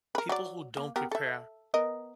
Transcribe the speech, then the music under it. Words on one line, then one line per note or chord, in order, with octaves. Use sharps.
people who don't prepare
A#4 B4
F#3 D5
A#3
B3 G4 A#4
A4 E5
B3 A#4 D#5